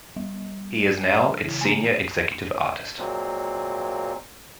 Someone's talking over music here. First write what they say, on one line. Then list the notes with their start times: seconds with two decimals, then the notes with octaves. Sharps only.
He is now its senior executive artist.
0.16 G3
1.43 C#3 E3 E4
1.61 G#3 A#3 G#5 A#5
2.99 A#2 F#3 G#3 A#3 C4